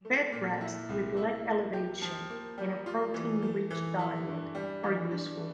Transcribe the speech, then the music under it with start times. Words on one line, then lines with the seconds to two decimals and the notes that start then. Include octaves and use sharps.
Bed rest with leg elevation and a protein-rich diet are useful.
0.05 A3
0.32 A#2
0.61 E4
0.89 C2
1.17 E4
1.45 A#3
1.73 G4
2.02 F3
2.30 A#3
2.58 G3
2.86 F4
3.14 E3
3.42 A3
3.70 E3
3.99 E4
4.27 G2
4.55 G3
4.83 E3
5.11 D4